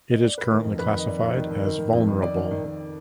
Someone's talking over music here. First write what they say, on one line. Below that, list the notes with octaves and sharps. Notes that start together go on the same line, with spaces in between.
It is currently classified as vulnerable.
D#5
D5
B4
D#3 A#4
F2
F2 B4
D#3
D#5
F2 D5
F2
D#3
D#3
D#3
D#3
F2
D#3
D#3 D5
D#3
D#3
D#3